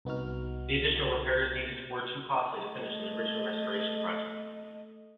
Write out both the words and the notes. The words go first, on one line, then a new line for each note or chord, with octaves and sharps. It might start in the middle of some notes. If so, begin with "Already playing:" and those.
The additional repairs needed were too costly to finish in the original restoration project.
C2 B3 D#4 F#4 F6
A3 D#5